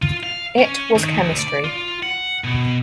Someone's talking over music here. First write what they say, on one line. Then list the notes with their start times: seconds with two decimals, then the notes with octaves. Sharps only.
It was chemistry.
0.02 F4
0.23 F5
0.58 C#4
0.95 D#3
1.14 D2
1.39 D5
1.64 F4
2.03 F#5
2.44 B2